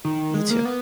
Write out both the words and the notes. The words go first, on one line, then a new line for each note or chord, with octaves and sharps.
You too.
D#3
G#3
A#3
B3